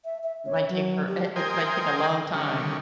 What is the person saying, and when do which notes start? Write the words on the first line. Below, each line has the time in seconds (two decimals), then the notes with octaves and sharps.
Might take her i it might take long time
0.05 E5
0.24 E5
0.46 C#5
0.69 F#3
1.08 G4
1.36 A#4 C5 D#5 G5 G#5
2.34 D3 D#3 G3 C#4